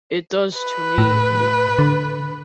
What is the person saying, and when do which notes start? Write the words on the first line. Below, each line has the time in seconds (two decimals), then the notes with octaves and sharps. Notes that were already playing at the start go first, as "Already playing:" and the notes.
It does to me.
0.57 B4
0.98 A2
1.79 D3